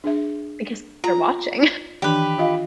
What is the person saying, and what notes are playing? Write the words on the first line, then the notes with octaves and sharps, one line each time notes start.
Because they're watching.
D4 G#4 E5
F4 A#5
D#3 E3 D4 G4 B4
F4 D#5 F5